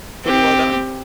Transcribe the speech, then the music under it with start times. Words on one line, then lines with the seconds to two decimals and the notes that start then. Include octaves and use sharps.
Pretty well done!
0.24 C4 G4